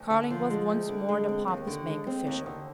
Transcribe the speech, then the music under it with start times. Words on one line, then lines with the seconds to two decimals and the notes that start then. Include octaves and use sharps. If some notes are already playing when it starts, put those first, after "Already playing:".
Carling was once more the pompous bank official.
Already playing: D2
0.10 D3
0.30 F3
0.50 G#3
0.69 D2
0.89 D3
1.09 G#3
1.29 C4
1.48 D#2
1.67 D3
1.87 G#3
2.07 C4
2.27 D#2
2.46 D3